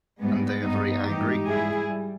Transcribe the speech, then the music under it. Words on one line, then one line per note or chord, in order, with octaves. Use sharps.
And they are very angry?
G#2 G3 G#3 B3
G2 G3 B3 D#4
G#2 E3 G3 D#4 G4
G#2 G3 E4 G#4
G3